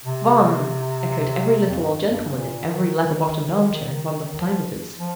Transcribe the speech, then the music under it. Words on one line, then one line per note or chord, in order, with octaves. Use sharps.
"Von!" echoed every little old gentleman in every leather-bottomed arm-chair in Vondervotteimittiss.
C3
F2
G2
G2
A#2
D#3
F3
F3